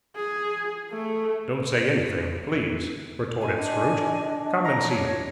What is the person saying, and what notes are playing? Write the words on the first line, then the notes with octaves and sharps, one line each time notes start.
'Don't say anything, please,' retorted Scrooge. 'Come and see me.
G#4
A3
D#5 G#5
D4 D#5
A#5
C#5